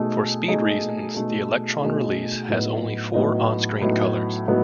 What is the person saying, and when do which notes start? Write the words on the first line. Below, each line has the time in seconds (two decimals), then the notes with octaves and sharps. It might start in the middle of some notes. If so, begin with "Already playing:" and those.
For speed reasons, the Electron release has only four on-screen colours.
Already playing: B2 A3 D#4 G#4
0.48 B2 A3 D#4 G#4
1.14 B2 A3 D#4 G#4
1.81 B2 A3 D#4 G#4
2.48 A2 F#3 B3 D#4
3.14 A2 F#3 B3 D#4
3.81 A2 F#3 B3 D#4
4.47 A2 F#3 B3 D#4